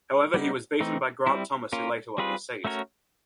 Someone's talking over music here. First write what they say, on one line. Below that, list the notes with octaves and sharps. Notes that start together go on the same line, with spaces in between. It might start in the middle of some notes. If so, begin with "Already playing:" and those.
However he was beaten by Grant Thomas who later won the seat.
G3 B3 D#4
E3 A3 C4 D#4
G3 C4 E4
A#3 C#4 F4 A#4
G3 C4 F4 G#4 B4
A3 C#4 F#4 A#4 C#5